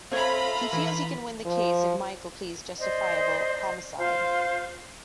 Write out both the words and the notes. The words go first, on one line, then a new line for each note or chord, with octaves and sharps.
He feels he can win the case if Michael pleads justifiable homicide.
C4 F4 A4 C#5 E5 F5 A#5 B5
E3
F3
C5 D5 D#5
F4 C5 F5